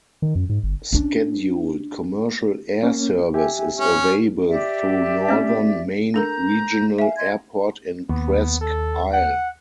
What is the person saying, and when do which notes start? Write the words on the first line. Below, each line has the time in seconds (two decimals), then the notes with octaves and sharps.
Scheduled commercial air service is available through Northern Maine Regional Airport in Presque Isle.
0.22 D#3
0.35 F#2
0.49 G#2
0.63 G1
0.93 C#4 D4
2.83 A#3 C#4
3.34 G4 E5 G#5
3.79 C#4
4.48 G4 D5 E5
5.29 A3 C4 C#4
6.14 D4 A4 A#4 A#5 G6
6.98 E5 F5 G#5
7.18 D#5 C6 G#6
8.09 D#2 B3
8.61 A4
9.13 F#5